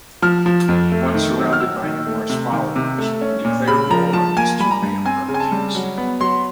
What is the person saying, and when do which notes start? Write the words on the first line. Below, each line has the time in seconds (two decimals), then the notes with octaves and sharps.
Once surrounded by numerous followers, he declared war on his two male relatives.
0.22 F3 F6
0.46 F3
0.68 F2
0.92 A3
1.15 D#3
1.37 F#3
1.53 F6
1.60 F#3 E6
1.84 D#3
2.07 A3
2.30 C3
2.52 D#3
2.76 C3
2.98 A3
3.21 C#4
3.45 A#2
3.67 C#3 B5
3.90 F3 A#5
4.13 F3 A5
4.37 A#3 G#5
4.59 G3 B5
4.71 A#5
4.82 G2
5.05 C4 G#5
5.28 C#3
5.34 G#5
5.40 A5
5.52 G3
5.75 F#3
5.98 B3
6.20 F#3 C6